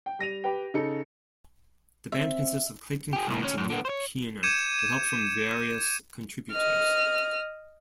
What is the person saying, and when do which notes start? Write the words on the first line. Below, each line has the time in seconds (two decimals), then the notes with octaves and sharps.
The band consists of Clayton Counts and Neil Keener, with help from various contributors.
0.06 G5
0.19 G3 A#6 D#7 F7
0.44 G4 B4 G5
0.74 C#3 D#4 A4 C#7
2.12 C4 E5
3.13 G4 G#4
3.27 C2 A2
3.42 D2 C#4
3.58 F#2
3.70 D3 B3
3.85 C5 C#5
4.43 D6 G6 G#6 C#7 D#7 E7
4.79 E7
6.52 D#5 F6